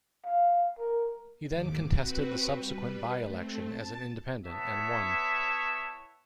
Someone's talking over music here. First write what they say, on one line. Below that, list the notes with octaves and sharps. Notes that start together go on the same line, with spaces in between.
He then contested the subsequent by-election as an independent, and won.
F5
A#4
D#2 G#2 D6
C4 F#4 B4
G3 B4
A3 C4
A5 A6
B3 E4 C#5 E5 A5